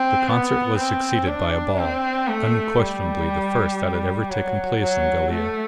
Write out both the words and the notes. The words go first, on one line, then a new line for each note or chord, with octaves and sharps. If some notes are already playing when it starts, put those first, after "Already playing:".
The concert was succeeded by a ball, unquestionably the first that had ever taken place in Gallia.
Already playing: C4
B3
C4
D4
C4
A3
G3
F#3
F#3
A3